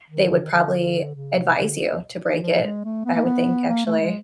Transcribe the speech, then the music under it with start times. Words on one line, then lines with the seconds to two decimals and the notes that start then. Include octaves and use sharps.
they would probably advise you to break it. I would think, actually.
0.10 D#3
0.31 D3
0.42 D#3
0.52 D3
1.15 C#3
1.36 C3
1.57 D3
2.33 E3
2.42 F3
2.63 G#3
2.84 A3
3.05 B3
3.15 A#3
3.25 B3
3.69 A#3
3.85 A3
4.00 G#3